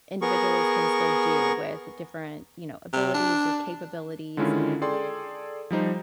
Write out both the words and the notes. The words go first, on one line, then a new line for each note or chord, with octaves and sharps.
individuals can still do with different, you know, abilities or capabilities,
B3 G#4 A#4 C#6
C3
D4
D3 D#3 G#3 C#4 E4 F4
G#4 A4 D5 G5 C6
F3 G3 D#4 C5